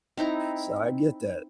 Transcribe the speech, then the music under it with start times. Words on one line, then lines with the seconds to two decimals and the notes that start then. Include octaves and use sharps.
so I get that.
0.17 C4 D#4 E4 A#5